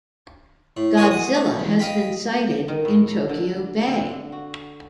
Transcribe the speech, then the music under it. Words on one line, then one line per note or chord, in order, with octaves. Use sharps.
Godzilla has been sighted in Tokyo Bay.
A2
C2 A#2 F#4 G#4 C#5 D#6
F#5 D#6
A3
E2
D#5 F5 G5 B5
D#3
A2
A#5
D3
D3
F#4